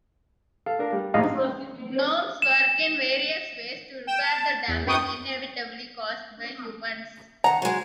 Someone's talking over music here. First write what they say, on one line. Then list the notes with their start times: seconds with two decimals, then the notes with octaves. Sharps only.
Gnomes work in various ways to repair the damage inevitably caused by humans.
0.66 A4 F5
0.79 D4 A#4
0.93 G3
1.14 A#1 G#2 G#3 A#3 D#5 F5
2.42 E7
4.07 G5 E7
4.24 A5
4.68 E2
4.86 F#2 B4 G5 C#6 D#6
7.44 D#3 F#5 A#5
7.62 F#3 G#3